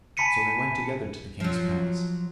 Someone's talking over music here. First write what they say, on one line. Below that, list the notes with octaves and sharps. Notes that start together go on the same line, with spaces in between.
So they went together to the king's palace.
G#5 A5 B5 B6 C#7 D#7
F3 F#3